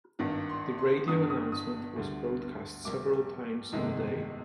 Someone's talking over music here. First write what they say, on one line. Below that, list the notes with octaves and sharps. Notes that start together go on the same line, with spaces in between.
The radio announcement was broadcast several times in a day.
G#1 G2 D#3 A#3
C6
C6
G1 G2 D3 D#6
D#6
D#6
D2 D3 G3
A#1 A#2 G3 A#3 D6
G1 F2 C3 D#3 G#3